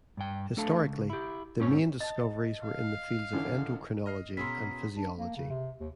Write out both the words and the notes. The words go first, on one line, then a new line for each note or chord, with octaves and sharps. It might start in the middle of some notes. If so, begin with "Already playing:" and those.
Historically, the main discoveries were in the fields of endocrinology and physiology.
G2 G5
A3 D4 A4 F5 A5
C#2
E4 G4
G#2 C4 C#4 C5 C#5
D#5 A5 A6
F5
F#2 D3 E3
D#5 F6 C7
B2 C#4 E4 G#4 A#4 C6 B6
D4
A#3
C#3
C3
D#2